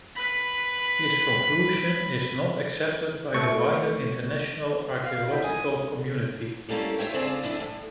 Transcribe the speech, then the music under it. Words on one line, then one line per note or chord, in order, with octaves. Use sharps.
This conclusion is not accepted by the wider international archaeological community.
B4 B5
A3 C#6
F5
E4 A4 C5 D#5 E5 F#5
C#2 G#5 D#6
G3 A3 A#3 C#4 E4
F4 F#4 C#5 E5 G5
C#3 C4 D4 F4 G#4 D5
F#2 E3 D4 E4
A2